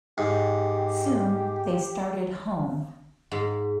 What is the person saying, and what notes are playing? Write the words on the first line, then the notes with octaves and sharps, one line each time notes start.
Soon they started home.
G#2 G4
G#2